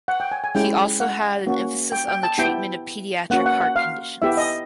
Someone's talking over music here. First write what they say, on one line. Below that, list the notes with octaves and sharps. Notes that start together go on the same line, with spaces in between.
He also had an emphasis on the treatment of pediatric heart conditions.
F#5
G5
G#5
G#5
G#3 C#4 E4 G4 G5
F#5
A#3 C#4 F#4
G5
G5
A5
B3 E4 G4 G5
A#3 C#4 F#4 F#5
F#5
F#5
F5
B3 E4 G4 E5
D#5